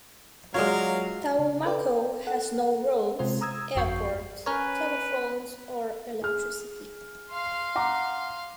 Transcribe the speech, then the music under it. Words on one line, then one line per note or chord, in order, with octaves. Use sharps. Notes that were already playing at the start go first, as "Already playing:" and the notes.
Taumako has no roads, airport, telephones, or electricity.
F#3 G#3 A#3 F4 A#4 C#5 D5 F5
C#3
A4 B4 D5 G5
A4 F#5
C3 G#3 F4 C5
A#5 D#6 E6 G#6
G1 F2 F#4 C#6 G6 C7
C#4 A#4 B4 C#5
G#4 F6
F5 C6
F#5 A#5 D6